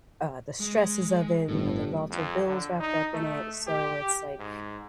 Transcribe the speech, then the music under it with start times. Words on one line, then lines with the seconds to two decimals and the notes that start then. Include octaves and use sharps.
uh, the stresses of it, you know, there's also bills wrapped up in it, so it's like
0.60 G#3
1.48 G1 A2
2.11 F2
2.48 D3
2.80 D#4
3.14 A3
3.67 G4
4.39 G#2